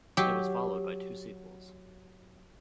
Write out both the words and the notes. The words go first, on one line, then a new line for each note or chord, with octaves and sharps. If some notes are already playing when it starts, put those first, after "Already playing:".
It was followed by two sequels.
F#3 G4